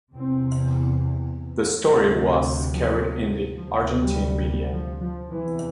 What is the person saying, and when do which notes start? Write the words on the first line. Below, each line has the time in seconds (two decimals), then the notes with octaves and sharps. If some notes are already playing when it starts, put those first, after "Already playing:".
The story was carried in the Argentine media.
0.14 E2 C3 C4
1.86 D2 C3 A3
2.73 F3
3.57 D2 C3 F3
4.01 G3
4.44 G3
4.73 F3
5.01 F3
5.29 E2 C3 E3